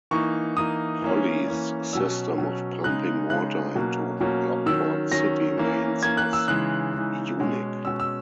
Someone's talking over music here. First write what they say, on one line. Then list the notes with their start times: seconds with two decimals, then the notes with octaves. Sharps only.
Holly's system of pumping water into Lockport's city mains was unique.
0.11 E3 A#3 D#4 C#6
0.57 E3 A#3 D#4 D#6
1.02 E3 A#3 C#4
1.48 E3 A#3 C#4
1.93 B2 F#3 C#4 E6
2.38 B2 F#3 C#4
2.84 C#3 G#3 D#4 F#6
3.29 C#3 G#3 D#4 F#6
3.75 B2 F#3 A#3 C#4
4.20 B2 F#3 A#3 C#4
4.66 D#3 F#3 C#4 E6
5.11 D#3 F#3 C#4 A#6
5.58 E3 A#3 C#4
6.02 E3 A#3 C#4 G#6
6.17 F#6
6.33 E6
6.48 C#3 E3 G#3 D#4 F#6
6.94 C#3 E3 G#3 D#4
7.39 B2 G#3 C#4
7.85 B2 G#3 C#4 E6
8.00 E6